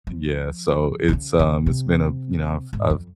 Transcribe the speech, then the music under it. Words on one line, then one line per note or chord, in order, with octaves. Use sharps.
Yeah. So, it's, um, it's been a you know, I've I've
F3
C3
C#3
C#3
C3
G#2
F2